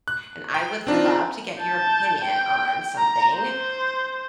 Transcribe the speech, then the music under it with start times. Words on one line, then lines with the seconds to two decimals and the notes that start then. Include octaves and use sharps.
and I would love to get your opinion on something.
0.08 F#6
0.54 G5
0.87 C4 D4 D#4 F4
1.61 A5 G6
2.24 G5
2.98 A#5
3.35 C5